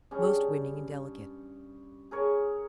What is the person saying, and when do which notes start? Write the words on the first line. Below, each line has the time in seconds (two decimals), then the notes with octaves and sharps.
"Most winning and delicate."
0.11 G2 C#4 G#4
2.11 G#4 A#4 C#5